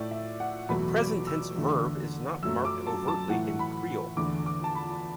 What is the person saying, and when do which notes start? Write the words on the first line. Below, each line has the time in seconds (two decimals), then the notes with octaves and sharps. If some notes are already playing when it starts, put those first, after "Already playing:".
The present tense verb is not marked overtly in Kriol.
Already playing: A2 A3 D5
0.11 E5
0.40 F#5
0.69 E2 B2 F#3 A3 B5
0.98 D6
1.27 E6
1.56 E2 D3 A3
2.43 F#2 F#3 A3 E6
2.65 D6
2.87 A5
3.08 A5
3.29 A2 E3 A3 F#5
3.59 B5
4.17 E2 D3 A3 D6
4.46 D6
4.64 A5
4.75 B5